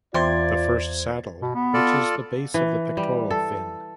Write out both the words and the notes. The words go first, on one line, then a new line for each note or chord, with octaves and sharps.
The first saddle reaches the base of the pectoral fin.
E2 C3 F4 C5 D5 C6 G#6
B2
B3
F4 A4 D5
E3
G3
A4